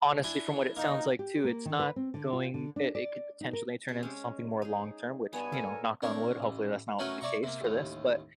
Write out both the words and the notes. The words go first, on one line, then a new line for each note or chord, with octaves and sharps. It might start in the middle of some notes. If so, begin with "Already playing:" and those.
honestly, from what it sounds like, too, it's not going it it could potentially turn into something more long-term, which, you know, knock on wood, hopefully that's not the case for this, but,
D4 E4 G#5
A#3 D#4
G4
A#3
D#3
B4
C4
D3
F4
D3
D4
D5
D#4
A#4
C3
G#3 C#4
D#4 G#4
G2 B3 C#5 G#5
A4 A#4
C4 D4 A#4 C#5
A1
F#3 A3 C#4 F#4 A#4 B4
C#5 D5 E5 A#5 C#6
C3 A#3
A1 D#2